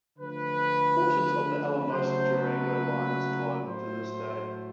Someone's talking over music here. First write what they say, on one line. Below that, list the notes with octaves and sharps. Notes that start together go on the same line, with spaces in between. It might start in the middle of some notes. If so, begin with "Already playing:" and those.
Portions of the Alamosa-Durango Line survive to this day.
D3 F3 A3 B4
B4
C#3 F#3 A3 C5
B4
A2 F#3 A3 C5